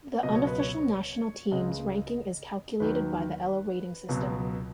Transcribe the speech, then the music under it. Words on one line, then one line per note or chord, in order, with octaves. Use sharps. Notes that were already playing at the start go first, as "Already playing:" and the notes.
The unofficial national teams ranking is calculated by the Elo rating system.
C#2 B2 F#3 D#5
C#5
B4
C#5
C#2 C#3 G#3 D#5
D#2 D#3 F#3 B4
C#2 B2 F#3